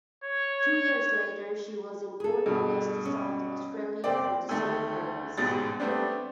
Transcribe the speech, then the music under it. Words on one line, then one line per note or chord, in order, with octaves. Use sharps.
Two years later she was in Port Augusta, South Australia, for the same purpose.
C#5
G#4 A4
G2 B2
C#4
F#1 C4 D5 G5
D2 D#3 G3 A3
A1 G#2 B2 G3 A6
G3 A3 B3 C4 D4